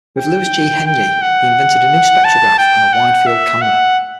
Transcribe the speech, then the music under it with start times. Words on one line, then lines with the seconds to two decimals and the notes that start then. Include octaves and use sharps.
With Louis G. Henyey he invented a new spectrograph and a wide-field camera.
0.19 G5
0.87 G5
1.22 F#5
2.24 A5
2.58 G5
2.93 F#5
3.26 E5
3.62 F#5